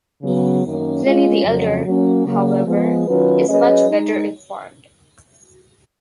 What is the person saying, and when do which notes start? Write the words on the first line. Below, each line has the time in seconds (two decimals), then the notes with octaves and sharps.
Pliny the Elder, however, is much better informed.
0.23 C#3 F#3 B3
0.64 F#2 D#3 A#3 C#4
1.04 G#3 C#4 F4
1.44 F2 C#3 F#3
1.85 F#3 A#3 C#4
2.26 C#3 F#3 A#3
2.66 F3 G#3 B3
3.07 D#3 F#3 C#4 F4 B4
3.48 F#3 C#4 G#4 B4 D#5
3.89 G#3 D#4